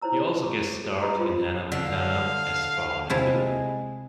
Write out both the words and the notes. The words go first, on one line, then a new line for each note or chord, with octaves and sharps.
He also guest-starred in "Hannah Montana" as Barny Bittmen.
D#4 E4 C5 C#5 A#5 E6
C#6 D6
F#4 G#4 A4
B4 D#5 A#5 B5 D#6
F4 C5 G5 C6
D3 F5
C3 G#3 E4 A5